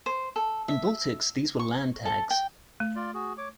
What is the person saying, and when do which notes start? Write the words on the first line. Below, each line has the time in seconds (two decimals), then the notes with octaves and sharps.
In Baltics these were Landtags.
0.06 C5
0.36 A4
0.68 E5
1.59 C#6
2.05 A4
2.30 G5
2.80 A3
2.96 F4 D5
3.14 F#4 G#4
3.38 C#5 D6